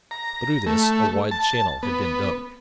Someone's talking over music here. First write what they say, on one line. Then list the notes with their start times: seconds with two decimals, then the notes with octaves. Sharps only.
Through this a wide channel had been dug.
0.11 A#5
0.66 A3
1.31 A5
1.83 B3